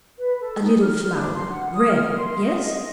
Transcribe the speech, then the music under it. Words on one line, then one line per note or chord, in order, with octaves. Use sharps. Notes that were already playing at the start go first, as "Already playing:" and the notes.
A little flower--red?--yes!
B4
A4
D#4
F6
D4
C6
F#5
D#6
F6
C6
D#5
D#5